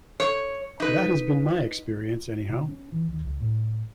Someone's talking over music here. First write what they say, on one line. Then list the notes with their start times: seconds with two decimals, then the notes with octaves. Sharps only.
That has been my experience anyhow.
0.20 C#5
0.80 D#4 B4
2.50 C3
2.69 C#4
2.92 E3
3.08 D#2
3.25 C#2
3.41 A2